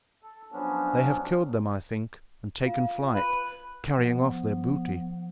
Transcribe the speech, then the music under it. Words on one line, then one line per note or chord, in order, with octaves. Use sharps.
They have killed them, I think, and taken flight, carrying off their booty.
A4
F3 F#3 B3 C#4 D4
F4 F5
B4
F3 B3